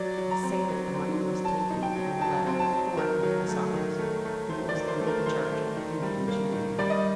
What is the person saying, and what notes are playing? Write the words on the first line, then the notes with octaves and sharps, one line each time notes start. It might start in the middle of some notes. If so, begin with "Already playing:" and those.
"I say that the money was taken from the letter before it left this office, when it was under the charge of you and Channing."
Already playing: F#3 D5
F#3
A#5
C4
F#3
C4
F#3
F#3 A5
D#4
G5
F#3
F#3 A5
C4
A5
F#3
D#3 A#4
F#3
A3
D#3
A3
A3
A3 C5
D5
D#3
C5
A3
A#4
D#3 C5
A3
D#3
G3
A#3
D#3
G3 D5
D#5